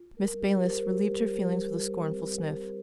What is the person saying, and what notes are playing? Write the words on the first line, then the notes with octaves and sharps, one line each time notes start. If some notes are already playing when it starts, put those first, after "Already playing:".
Miss Baylis relieved her feelings with a scornful sniff.
Already playing: F4
A#4
G3
G4
C5
F4 A#4
G4
G3
G3 C5
F4
C4
G3